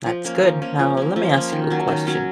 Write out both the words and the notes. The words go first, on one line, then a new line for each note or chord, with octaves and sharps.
That's good, now let me ask you a question.
F3
A#3 C#4
F3
A#3 C#4
F3
A#3 C#4
F3
A#3 C#4
D#3
F#3 C#4
D#3
F#3 C#4